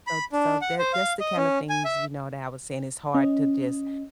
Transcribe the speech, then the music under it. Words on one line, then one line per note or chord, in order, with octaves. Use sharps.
So ts so that's the kind of things, you know, that I was saying. It's hard to just,
B5
D4
F#5
C5
F5
D#5
C#4
G#5
E5
C#4 D#5